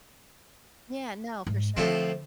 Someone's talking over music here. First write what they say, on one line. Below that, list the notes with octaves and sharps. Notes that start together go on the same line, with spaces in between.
Yeah, no, for sure.
G#2
A2 D3 F3 C4